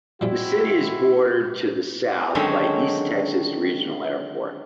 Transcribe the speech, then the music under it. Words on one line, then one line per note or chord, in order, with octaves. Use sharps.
The city is bordered to the south by East Texas Regional Airport.
F3 G3 G#3 C4 C#4 E4 F#4
D3 D#3 F#3 G#3 C4 C#4